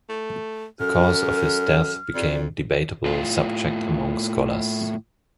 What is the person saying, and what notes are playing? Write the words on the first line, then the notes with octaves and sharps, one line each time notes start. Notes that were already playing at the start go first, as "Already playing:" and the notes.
The cause of his death became debatable subject among scholars.
A3
F#2 A4 F6
F2 D5
A2 F4